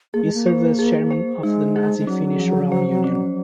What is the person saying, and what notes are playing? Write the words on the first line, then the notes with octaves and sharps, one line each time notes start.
He served as chairman of the nazi Finnish Realm Union.
A#3 G#4
G#3
A#3
C5
G#4
C5
G#3 D#4
G#4
G#3
F#3 C#4
F3
C5
C#4